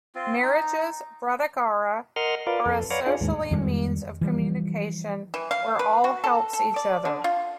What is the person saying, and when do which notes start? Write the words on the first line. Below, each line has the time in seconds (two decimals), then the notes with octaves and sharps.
Marriages, Brataghara are a socially means of communication where all helps each other.
0.15 C4 F4
0.43 D#4
2.16 A#4 D#5 F#5 C6 F6
2.47 F4 A#4 B4 D5 F5
2.66 F2 A4
2.90 B4 C#5 D5 F5 F#5 A#5
3.06 D4 F4 G#4
3.21 D#2 G#2
3.51 F2 D#3 G3 G#3
4.21 E3 F3 G3
5.34 E3
5.51 F5
5.79 B4
6.04 F#4
6.24 A4
6.53 A4
6.76 D5
7.05 D3
7.24 F4